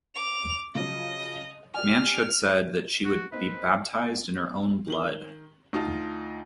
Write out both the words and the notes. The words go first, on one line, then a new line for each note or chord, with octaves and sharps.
Manche had said that she would be baptized in her own blood.
D6 F7
C#3 F3 F#3 D#5
G4 D5 G#5 F6
F#4
A#3 C4 D#4 B4
D#3 F#7 G7
D2 D#4 F4 A5